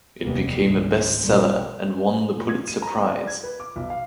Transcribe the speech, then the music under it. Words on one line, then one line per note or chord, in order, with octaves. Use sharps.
It became a best-seller and won the Pulitzer Prize.
F1 D#2 G3 G#3 A#3 B3
G#1 C#2 D3 G#3
B1 G2 B2 G3 G#3 A#3
A#2
G#6
D#7
A#5
B3
D5
G#6
B4
D6
B1
F5